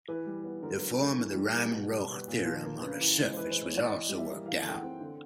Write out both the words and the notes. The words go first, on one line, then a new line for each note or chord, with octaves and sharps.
The form of the Riemann-Roch theorem on a surface was also worked out.
E3 B4
G3
B3
D3 A#4
B4
F#3 A#4
A3
E3
G3
A#3
B2
G3
B3
A#2
F3
A#3
C#3 B4
E3
G#3
C5
E3 B4
G#3 C5
C#5
B3 D5
E3 D#5
G3
E5
A#3
E3 F5
A3 G5
F#5
C4
D3